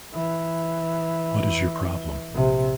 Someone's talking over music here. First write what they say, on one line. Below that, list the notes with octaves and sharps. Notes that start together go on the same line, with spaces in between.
What is your problem?
E3
A#1 C3